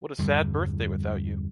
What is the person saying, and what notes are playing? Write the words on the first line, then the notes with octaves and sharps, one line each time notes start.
What a sad birthday without you!
E2 G2 D3 G3